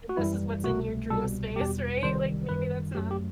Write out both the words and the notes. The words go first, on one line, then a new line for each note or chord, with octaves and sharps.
and this is what's in your dream space, right? Like, maybe that's not
F#4
F#2 E3 G3 E4
C2 B2 A3 F#4
C2 B2 G3 A4
E2 B2 G3 G4
C2 C3 D#3 G3 C5
F#2 D#3 G3 B4
F#2 F#3 A3 G4
G4